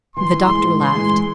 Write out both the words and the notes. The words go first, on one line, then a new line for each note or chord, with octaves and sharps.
The doctor laughed.
E3 C6
E3
G#3
G#3
E3 C6
G#3
E3